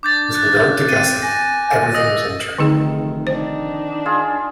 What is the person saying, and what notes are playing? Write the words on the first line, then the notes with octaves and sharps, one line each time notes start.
With regard to Gussie, everything was in train.
D4 D6 G6 A6
F#6
C4 D#7
G#5 A#6
D#5 D#6 E6 A#6
F1 D3 D#3 D#4 G#4
D4 D#4 C5
F4 G#4